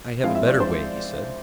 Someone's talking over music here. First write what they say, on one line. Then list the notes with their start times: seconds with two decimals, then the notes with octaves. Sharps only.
"I have a better way," he said.
0.23 F3 G#3 C4 E4 F5
0.35 E5
0.47 D5
0.60 F3 G#3 C4 E4 C5